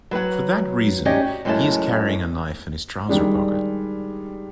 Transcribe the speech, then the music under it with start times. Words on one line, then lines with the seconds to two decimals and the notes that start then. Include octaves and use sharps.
For that reason he is carrying a knife in his trouser pocket.
0.11 F#3 B4 C#5 F#5
1.05 F#3 C#4 D#4 G4 D5 D#5
1.25 F#4
1.45 F#2 A2 G#3 G4 E5 A5
3.08 D#3 G3 G#3 D4